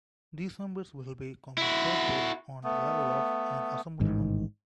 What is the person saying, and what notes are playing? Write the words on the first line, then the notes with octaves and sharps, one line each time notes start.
These members will be compensated on the level of an Assembly member.
E4 F#4
A3 B3
A1 G#2 D#3